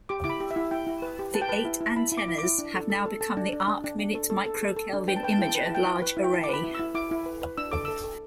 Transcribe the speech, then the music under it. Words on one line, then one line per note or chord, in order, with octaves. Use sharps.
The eight antennas have now become the Arcminute Microkelvin Imager Large Array.
G4 D6
E4 D6
B5
G4
E5
E4
E4 G5
E4
B4
G4
B4 A5
G5
B4 A5
E4
E4
A5
E4 B5
E4
D6
E4
E4 D6
D4
A4
A4
A4
A4 A5
D4
D4
D4
D4
D4
A4
A4
A4
A4
A4
D4
B4 G5
A5
B4 G5
A5
E4 G5
A5
B4 G5
A5
E4 G5
E4
B4
E4
G5
E4 A5
D6
B4 B5
E4
E4 E6
E4 D6
E4
B4
B4
D4 E6
A4 D6
A4 E6
A4